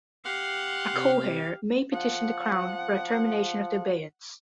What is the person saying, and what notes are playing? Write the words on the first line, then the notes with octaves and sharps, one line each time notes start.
A co-heir may petition the Crown for a termination of the abeyance.
G4 F5 F#5 C6
C3
F3 F#5